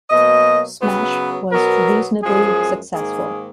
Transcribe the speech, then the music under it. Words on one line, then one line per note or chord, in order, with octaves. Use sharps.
Smash was reasonably successful.
B2 F#3 A#3 D#5
C#3 F#3 B3 B4
B2 F#3 B3 A#4
F#2 F3 G#3 G#4
G#2 D#3 A#3 G#4